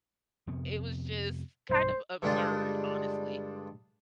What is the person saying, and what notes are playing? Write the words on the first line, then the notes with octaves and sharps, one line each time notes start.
It was just kind of absurd, honestly,
F2 C3 B3
B1 G2 E3 C5
G2 D3 G3 G#3 D4 F4